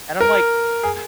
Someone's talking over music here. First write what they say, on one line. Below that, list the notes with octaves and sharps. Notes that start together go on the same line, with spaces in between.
and I'm like,
A#4
G#4